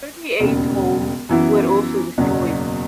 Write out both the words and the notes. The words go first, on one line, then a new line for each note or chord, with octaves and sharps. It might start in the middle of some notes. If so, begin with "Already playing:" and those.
Thirty-eight homes were also destroyed.
E1 D#2 C#3
F#2 E3 B3 E4
F#1 E2 B2 F#3 C#4